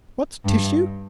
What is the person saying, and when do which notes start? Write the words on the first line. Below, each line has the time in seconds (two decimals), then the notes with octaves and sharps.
"What's tissue?"
0.45 G2